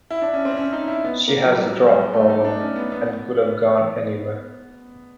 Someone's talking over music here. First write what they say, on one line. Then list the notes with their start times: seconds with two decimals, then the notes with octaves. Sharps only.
She has a drug problem, and could have gone anywhere.
0.11 E4
0.22 D4
0.34 C#4
0.45 C4
0.57 C#4
0.73 D#4
0.88 E4
1.05 B3
1.28 A#3
1.45 F#3
1.51 G3
1.67 F#3
1.82 G3
1.98 G#3
2.13 A3
2.29 D#4
2.45 D4
2.61 C#4
2.76 B3
2.92 B3